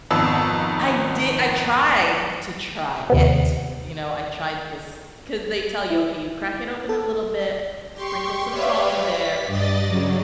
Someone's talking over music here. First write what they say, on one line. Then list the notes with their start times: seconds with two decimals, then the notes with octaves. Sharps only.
I di I tried to try it, you know, I tried this 'cause they tell you, "Okay, you crack it open a little bit, sprinkle some salt in there,
0.11 G#1 F2 B3 E6
3.10 D#2 C3 B3
5.90 E4
6.89 A4
7.94 G4 C6 C#6
8.49 G4 B4 C#5 D5 E5 F5
9.03 B6
9.46 G2 D5 D#5 A6
9.87 C#3 F#3